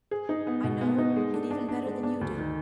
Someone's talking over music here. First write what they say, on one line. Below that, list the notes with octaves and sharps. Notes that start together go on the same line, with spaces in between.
I know it even better than you do.
G#4
D#4
B3
B2
B3
D#4
G#3
D4
D4
D4
G#3
D4
D2
D#3